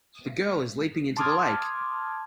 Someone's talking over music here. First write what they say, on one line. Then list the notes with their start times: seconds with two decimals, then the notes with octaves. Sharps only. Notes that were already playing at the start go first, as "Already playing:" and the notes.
The girl is leaping into the lake.
1.17 A5 C6 D6 D#6 F6 G#6